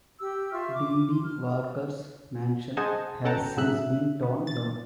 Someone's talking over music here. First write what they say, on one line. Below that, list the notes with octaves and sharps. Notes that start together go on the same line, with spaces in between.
D. D. Walker's mansion has since been torn down.
G4 E6
F4 E5 C#6 F6
D6
D6
C6
F6
G#4 C5 D#5 F#5 G#5 A5
C#4 A4 F#5 G5 A5 A#5
A2 D3 F#3 G#4 E5 F#6
B3
A6